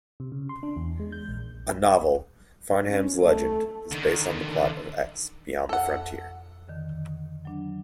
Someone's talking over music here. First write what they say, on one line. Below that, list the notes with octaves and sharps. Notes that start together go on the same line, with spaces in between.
A novel, "Farnham's Legend", is based on the plot of "X: Beyond the Frontier".
C3
C#3
C6
D4
E2
G#3
G6
A#1
C#4
A3
D3 D#3
F2 A4 F#5
F2 D3 D#3
F#3 D4